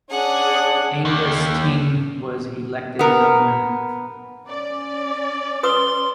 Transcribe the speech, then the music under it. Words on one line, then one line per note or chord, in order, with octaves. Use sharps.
Angus King was elected governor.
C#4 D4 G#4 F#5
D#2
B3 A#4
C#4 D5
B4 C6 D#6